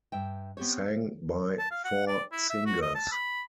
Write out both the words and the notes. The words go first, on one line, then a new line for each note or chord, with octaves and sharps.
Sang by four singers.
G2 E5 G5
B3 C4 G4 C5 C#5
A5
F5
F#5
D5
E4
E5
F#4
D#5
A5
B5